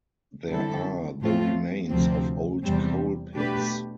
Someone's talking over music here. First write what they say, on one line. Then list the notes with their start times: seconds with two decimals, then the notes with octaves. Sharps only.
There are the remains of old coal pits.
0.49 D3 G3 C4 E4 A4
1.19 A2 F3 A3 C4 F4
1.91 D2 C3 F3 C4
2.63 E2 C3 G3 C4
3.34 B2 A3 D4 G4 B4